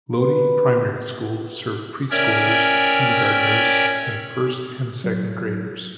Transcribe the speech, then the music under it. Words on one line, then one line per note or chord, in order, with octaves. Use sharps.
Lodi Primary School served preschoolers, kindergarteners, and first and second graders.
B4
C#4 A#4 C#5 D5 E5 G5
F#3